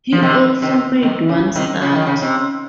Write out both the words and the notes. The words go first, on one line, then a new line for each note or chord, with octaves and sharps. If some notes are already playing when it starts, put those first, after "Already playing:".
He also made one start.
F3
C3 D#3
C3 D#3
C3 D#3
C#3
C3 D#3
C#3
D#3
C#3
C3